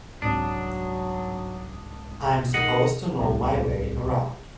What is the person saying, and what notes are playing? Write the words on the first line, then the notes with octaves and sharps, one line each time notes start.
I'm supposed to know my way around.
C2 G#2 F#3 D4 D#6
D#3 D#5 F#5
D1 C2